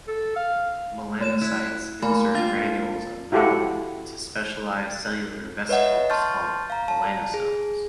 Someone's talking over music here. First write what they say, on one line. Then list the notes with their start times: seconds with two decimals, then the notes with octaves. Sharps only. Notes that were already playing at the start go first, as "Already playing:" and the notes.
Melanocytes insert granules of melanin into specialized cellular vesicles called melanosomes.
0.08 A4
0.36 F5
1.21 A3 C#5 E7
1.41 E4 F#6 G#6
2.02 A3 A#3 G#5 B5
2.35 A#3 D4 F4 F5 A6
3.32 E4 F#4 G4 A4 F5 F#5
5.69 B4 C#5 D#5 E5 F#5
6.10 A5 C6 C#6 F6 G6 A6
6.70 F5 A#5
6.88 A5
7.34 G#4